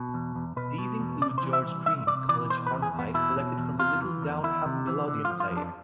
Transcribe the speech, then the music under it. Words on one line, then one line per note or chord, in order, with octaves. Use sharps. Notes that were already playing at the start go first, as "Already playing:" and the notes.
These include "George Green's College Hornpipe", collected from the Little Downham Melodeon player.
Already playing: B2
E2
E2
B2 B4
B2
E2
C3 D5
C5
E3
E5
C2
C2 E5
C3 D5
E3 D5
B2 C5
B4
E2
G#4
E2
B3
B2 E4
B2
E2
C3 F4
E3
E2
E2 E4
C3
E3
D3
F4
F3
F4
F2
D4